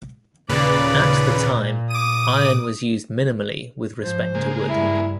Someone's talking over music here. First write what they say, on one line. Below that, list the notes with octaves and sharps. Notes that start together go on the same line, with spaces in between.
At the time, iron was used minimally with respect to wood.
D#2 A#2 C#3 B4 D5
D6 D#6 D#7
G#2 F3 C5
C#3 G#3 A#3
G2 E4